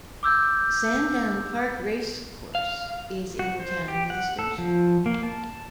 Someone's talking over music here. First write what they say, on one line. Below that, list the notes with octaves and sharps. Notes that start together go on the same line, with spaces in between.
Sandown Park Racecourse is in the town near the station.
D6 E6 G6
F5
F#4
C5
G4
F#5
A4
F3
A#3
A5